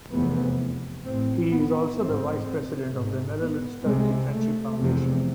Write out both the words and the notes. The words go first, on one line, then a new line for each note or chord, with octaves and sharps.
He is also the vice president of The Netherlands - Turkey Friendship Foundation.
F1 E2 C3 B3
A1 A2 C4
B3
A1 G#2 C4
G#1 G#2
B3
C2 C3 G#3
A3
F1 E2 C3